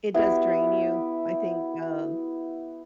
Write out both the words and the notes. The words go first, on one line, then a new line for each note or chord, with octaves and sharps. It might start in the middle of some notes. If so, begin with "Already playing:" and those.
It does drain you, I think, um,
B3 E4 F#4 G4